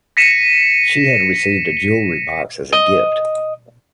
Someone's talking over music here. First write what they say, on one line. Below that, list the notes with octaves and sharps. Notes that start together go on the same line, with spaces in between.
She had received a jewelry box as a gift.
A#6 B6 C#7 D#7 E7
D#5